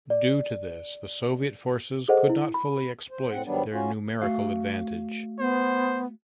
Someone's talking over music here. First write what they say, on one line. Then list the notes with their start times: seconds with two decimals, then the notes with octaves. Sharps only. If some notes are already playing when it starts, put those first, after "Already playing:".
Due to this, the Soviet forces could not fully exploit their numerical advantage.
0.10 D5
2.08 G#4 A4 C5 D#5 F#5
2.29 E4
2.54 B5
3.11 C5
3.32 A2 C4 F#5
3.45 G#2 D#3 F#3 G3 B3 D4
3.73 C#4 F4 F#4
4.22 A3 F#4 F5
5.39 B3 C5